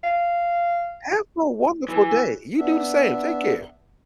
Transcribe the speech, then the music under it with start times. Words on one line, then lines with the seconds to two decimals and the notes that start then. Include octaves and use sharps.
Have a wonderful day. You do the same. Take care.
0.04 F5
1.89 E3
2.58 B3 D4 E5